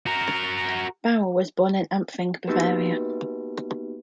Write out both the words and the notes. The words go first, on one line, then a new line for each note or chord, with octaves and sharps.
Baur was born in Ampfing, Bavaria.
F#4 A#4
A#3 B3 D#4 F#4 G4 B4